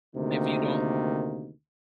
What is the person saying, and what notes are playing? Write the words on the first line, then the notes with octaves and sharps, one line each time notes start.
if you don't
D2 C3 D#3 A#3